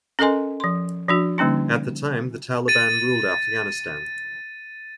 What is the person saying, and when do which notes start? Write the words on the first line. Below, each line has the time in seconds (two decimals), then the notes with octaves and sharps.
At the time, the Taliban ruled Afghanistan.
0.19 C#4 A4 A#4 D#5 G#5 C6
0.60 F3 C6
1.09 F3 D4 F#4
1.38 D3 G3 A#3 C#4 D#4
2.68 A6 D#7